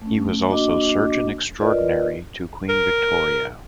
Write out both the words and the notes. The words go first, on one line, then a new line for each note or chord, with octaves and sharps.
He was also surgeon-extraordinary to Queen Victoria.
A3 C#4
A#3 D4 F#4 D#5 D6
F4 A#4 B4 D5 D#5
A#4